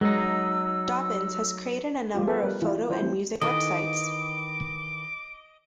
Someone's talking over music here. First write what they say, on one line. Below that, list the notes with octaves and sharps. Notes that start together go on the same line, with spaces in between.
Dobbins has created a number of photo and music web sites.
F#3 G#3 D#4 E6
F3 G3 A3 F4 G4
B3 G#4 A4 B4
G3 A#4 B4
E3 E4 F4
F3 E4 C5
E3 F#3 A3 C4
D#3 E3 A4 D#5 D6